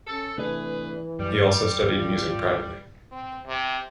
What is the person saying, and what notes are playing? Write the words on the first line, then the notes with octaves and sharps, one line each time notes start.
He also studied music privately.
C#4 A4
C3 E3 A3 D4 G#4 B4
F#2 G3
A1 E2 F4
C4
C3